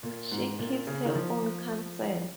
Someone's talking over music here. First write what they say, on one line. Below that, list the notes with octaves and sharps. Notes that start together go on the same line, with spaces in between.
She keeps her own counsel!
A#2
G#2
A#2
C#3
D#3
F3